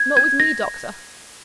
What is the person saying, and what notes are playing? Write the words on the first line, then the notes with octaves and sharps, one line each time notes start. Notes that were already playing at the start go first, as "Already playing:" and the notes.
'Not with me, Doctor.
Already playing: G#6
G#6
A#6